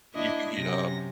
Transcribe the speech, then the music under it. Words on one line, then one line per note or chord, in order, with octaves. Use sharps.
you can heat up.
A#3 D4 E4 D#5
F#2 C3 A#6